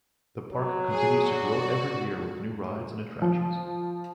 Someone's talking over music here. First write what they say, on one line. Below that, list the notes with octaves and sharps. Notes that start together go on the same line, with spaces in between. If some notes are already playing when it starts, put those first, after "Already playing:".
The park continues to grow every year with new rides and attractions.
F#3
G#4
F#4 D5
F3